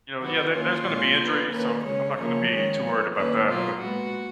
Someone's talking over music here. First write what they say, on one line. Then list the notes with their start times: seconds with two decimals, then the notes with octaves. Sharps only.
You know, yeah, there there's gonna be injuries, so I'm not gonna be too worried about that. But
0.21 D#3 F#3 B3 F#4
0.54 D#3 A#3 C#4 F4
0.86 A#2 G#3 C#4
1.19 F3 B3
1.51 D#3 A#3 C#4 B4
1.84 C#3 G#3 C#4 C#5
2.17 C#3 F3 A#3 C#4 C#5
2.50 D#3 G#3 C#4
2.82 F3 B3
3.15 D#3 A#3 C#4 B4
3.47 B2 F#3 A#3 F4
3.81 A#2 G#3 B3 F#4